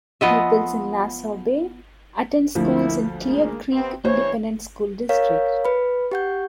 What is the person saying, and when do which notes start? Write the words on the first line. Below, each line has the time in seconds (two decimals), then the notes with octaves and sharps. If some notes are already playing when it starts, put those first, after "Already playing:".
Pupils in Nassau Bay attend schools in Clear Creek Independent School District.
0.21 F3 B3 D#5 E5
2.55 D2 F3 A#3 E4
3.25 G#3 A#3
3.71 C3 B3 C4
4.05 G2 E3 C5 C#5
5.09 A#4 C#5 F5
5.65 B4 B5
6.11 G4 F#5 G6